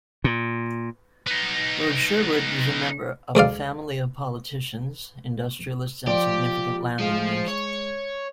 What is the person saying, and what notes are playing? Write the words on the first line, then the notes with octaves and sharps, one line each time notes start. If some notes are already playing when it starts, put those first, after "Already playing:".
Lord Sherwood was a member of a family of politicians, industrialists and significant landowners.
A#2
B3 D#4
D2 G#3 D5 F5
F3 F4 G4 D5
F3 G#3 F4
C#5